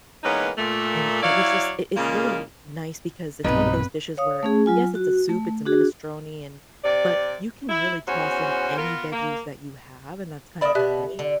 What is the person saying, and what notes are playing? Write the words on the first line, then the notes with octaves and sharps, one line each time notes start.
and it was just it it's really nice because it's one of those dishes where, yes, it's a soup, it's a minestrone, and but you can really toss in any veggies that you have, and that's kind of the point,
E3 G#3 A#3 B3 C#4 D#4
A#2 A3
F#3 E4 C#5 D5 F5
A#2 C#3 G#3 A#3
B1 G2 A#2 F#3 B3 C4 D#4 B4
C#5 F5 D#6
A3 C#4 G#4
F#3 F4 G#5
F#4
A3
D4 F#4 G#4
C3 D5
E4
E2 C#4 F#4 C5
B3 F4 A#4
A#3
A#3 D5 E5 B5 D#6
B2 B3 G4 E5 F#6
D3